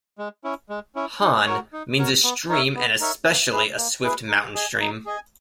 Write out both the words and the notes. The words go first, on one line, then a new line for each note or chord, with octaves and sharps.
"Hanne" means a stream and especially a swift mountain stream.
G#3
C#4 E4
G#3
C#4 E4
D#4
F#4 A#4 C#5
D#4
F#4 A#4 C#5
B3
D#4 A#4 C#5 E5
B3
D#4 A#4 C#5 E5
A#3
E4 G#4 B4
A#3
E4 G#4 B4
D#4
G#4 D#5 G#5
D#4
G#4 D#5 G#5